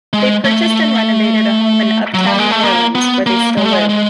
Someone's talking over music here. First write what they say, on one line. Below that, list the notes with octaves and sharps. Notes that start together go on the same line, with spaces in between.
They purchased and renovated a home in Uptown New Orleans, where they still live.
G#3
A3
F#3
G3
G#3
A3
A#3
B3
A#3
G#3
A3
G#3
G#3